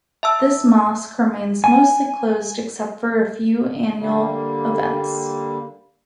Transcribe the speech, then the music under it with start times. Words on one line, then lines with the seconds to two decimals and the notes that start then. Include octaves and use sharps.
This mosque remains mostly closed except for a few annual events.
0.23 E5 A5 E6
1.64 G#5
3.97 D3 G3 A#3